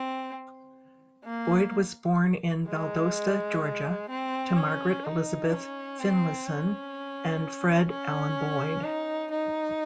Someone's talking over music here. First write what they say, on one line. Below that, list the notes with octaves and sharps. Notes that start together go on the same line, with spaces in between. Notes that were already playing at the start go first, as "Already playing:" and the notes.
Boyd was born in Valdosta, Georgia to Margaret Elizabeth Finlayson and Fred Allen Boyd.
Already playing: C4
A#3
G#3
C4
C#4
D#4
C#4
C4
C#4
C#4
D#4
D#4